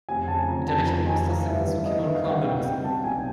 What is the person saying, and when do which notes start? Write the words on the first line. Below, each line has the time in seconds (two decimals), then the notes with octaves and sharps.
Mit der rechten Maustaste kannst du Kimme und Korn benutzen.
0.09 F1 G#5
0.28 C#3 A5
0.48 F2 A#5
0.68 F1 A5
0.87 F2 A#5
1.07 F1 G#5
1.26 E3 F5
1.46 G2 E5
1.66 B3 E5
1.86 B3 D#5
2.00 E5
2.06 B3
2.15 F5
2.25 G3 F#5
2.44 G3 G5
2.64 C4 G5
2.84 C4 A5
3.04 B1 G#5